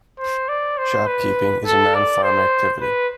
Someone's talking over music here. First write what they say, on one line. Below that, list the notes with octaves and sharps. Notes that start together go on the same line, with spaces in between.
Shop-keeping is a non-farm activity.
C5
D5
C5
B4
A4
D5
C5
B4